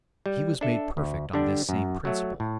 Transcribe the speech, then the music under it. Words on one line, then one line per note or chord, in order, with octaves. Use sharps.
He was made perfect on this same principle.
G3
D4 A4 E5
D2
D3 G3 D4 G4
F#2
F#3 A3
A2